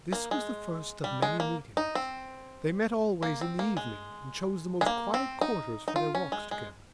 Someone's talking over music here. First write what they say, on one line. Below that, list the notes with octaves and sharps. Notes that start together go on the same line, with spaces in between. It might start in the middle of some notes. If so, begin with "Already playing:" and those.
This was the first of many meetings; they met always in the evening and chose the most quiet quarters for their walks together.
A#3
G#3
G3
G#3
A#3
D#4
C4
A#3
C4
A#3
G#3
G#3
A#3
C4
D#4
D#4
F4
C#4
G#3
G#3